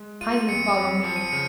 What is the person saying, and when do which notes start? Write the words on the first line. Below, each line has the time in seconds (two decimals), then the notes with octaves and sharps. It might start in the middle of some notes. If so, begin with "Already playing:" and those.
"Kindly follow me."
Already playing: G#3
0.21 F4 D#7
0.37 D#7
0.48 F2 C#7
0.77 F2
1.04 F3 C#7
1.16 D#7
1.29 C#3 C#7